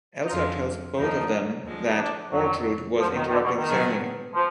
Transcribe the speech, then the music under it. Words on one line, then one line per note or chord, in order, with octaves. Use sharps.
Elsa tells both of them that Ortrud was interrupting the ceremony.
D#4
F2 D3 G#3 F4
D#2 D3 F3 A#3 D4 D#4
D#2 D3 F3 G#3
D#4
D4
F2 D3 F3 F#3
F2 D3 F3 F#3
D#3
D#3
D3
B2
D#3
A#2 F#3 B3 D4 G#4
F3